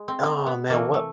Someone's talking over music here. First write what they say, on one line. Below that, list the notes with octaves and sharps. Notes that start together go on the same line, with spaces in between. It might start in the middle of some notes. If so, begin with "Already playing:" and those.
Aw, man, what
Already playing: G#3
C4
C4
B3
C3 E3 A3 A#3
A3